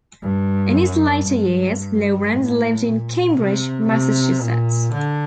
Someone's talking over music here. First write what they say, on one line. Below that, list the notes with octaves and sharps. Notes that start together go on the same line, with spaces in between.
In his later years, Lorenz lived in Cambridge, Massachusetts.
G2
F#2
G2
A2
A#2
C3
C3
A#2
D3